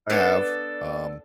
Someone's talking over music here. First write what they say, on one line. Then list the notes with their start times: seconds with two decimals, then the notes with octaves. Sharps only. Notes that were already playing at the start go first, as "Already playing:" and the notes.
I have, um,
0.10 B3 D4 A4